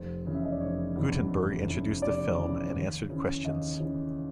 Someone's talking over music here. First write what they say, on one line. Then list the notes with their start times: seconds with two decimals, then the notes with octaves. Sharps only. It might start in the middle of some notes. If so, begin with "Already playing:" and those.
Guttenberg introduced the film and answered questions.
Already playing: F1 C5
0.25 E2 C#3 E3
0.35 E5
0.44 D#5
0.52 D5
0.60 F1 C#5
0.95 E2 C#3 E3
1.32 F1
1.67 E2 C#3 E3
2.02 F1 D5
2.38 E2 C#3 E3
2.73 D#2
3.09 C#3 E3
3.44 D#2 D#5
3.80 C#3 E3